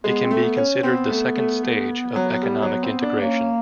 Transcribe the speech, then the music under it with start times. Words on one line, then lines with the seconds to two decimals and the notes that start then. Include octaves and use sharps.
It can be considered the second stage of economic integration.
0.04 G#3 B3
0.24 C4
0.31 A3
0.43 B3
0.57 C#4
0.83 B3 C4
1.10 A3
1.36 A3
1.63 A3
2.16 F#3
2.43 G3
2.62 F#3
2.83 C4
3.02 D4
3.22 A#3 C#4